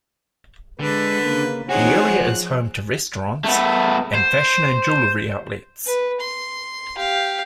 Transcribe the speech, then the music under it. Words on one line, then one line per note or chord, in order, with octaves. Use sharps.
The area is home to restaurants and fashion and jewellery outlets.
D3 G#3 B4
C#3 A#3
E3 C4 D#4 F#4 G#4 C5 C#5 F#5
F3 F#6
A3 B3
C5
B4
C6
G4 F5